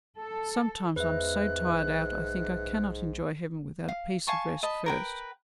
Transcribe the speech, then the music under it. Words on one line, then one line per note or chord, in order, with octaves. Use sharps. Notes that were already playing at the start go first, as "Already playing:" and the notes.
Sometimes I'm so tired out I think I cannot enjoy heaven without a piece of rest first.
A4
E2 G#2 B4 E5 F#6
B1
F5
F5 G#5 A5 C#6
D#5 A5 B5
A#4 B4 G5